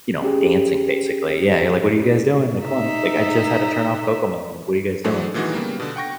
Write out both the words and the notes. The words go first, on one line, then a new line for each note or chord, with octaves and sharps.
you know, dancing, basically. Yeah you're like, "What are you guys doing? Like, come on, like, I just had to turn off Cocomelon, like, what are you guys doing?"
C#4 G4 G#4
D#4 E5
E3 F#3 A3 D4 G#4 C5
A#2 D#3 E3 F#3 G#3 F#4
C#3 G3 A#3 B3
B2 D3
F#5 G5 C#6 A#6